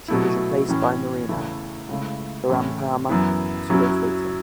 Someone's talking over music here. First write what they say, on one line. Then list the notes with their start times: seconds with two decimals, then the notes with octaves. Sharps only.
She was replaced by Marina Barampama two days later.
0.08 B2 F#3 A3 E4
0.69 A2 E3 C#4
1.29 E2 C#3 E3 A3 E4
1.89 C#2 C#3 A3 E4
2.49 A2 E3 A3 C#4
3.09 F#2 E3 B3 E4
3.70 F#2 F#3 C#4 E4